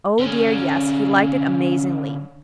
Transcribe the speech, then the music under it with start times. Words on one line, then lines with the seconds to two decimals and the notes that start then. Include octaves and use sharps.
Oh, dear, yes, he liked it amazingly!
0.19 D3 C#4